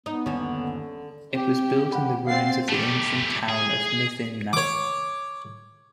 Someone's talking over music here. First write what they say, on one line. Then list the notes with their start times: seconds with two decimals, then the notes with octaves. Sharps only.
It was built in the ruins of the ancient town of Mythimna.
0.06 B3 D#4
0.26 G1 D#2 D3 C#4
1.34 C4 G4
1.92 F#5 G5 B5
2.27 C4 F5 F#5 A6 C7
2.69 A3 G4
3.49 G#4
4.53 C#5 D6